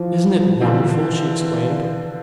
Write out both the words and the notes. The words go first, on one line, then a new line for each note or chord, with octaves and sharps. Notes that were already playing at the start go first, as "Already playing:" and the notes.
"Isn't it wonderful!" she exclaimed.
Already playing: E3 F3
D3 E3 F3 C4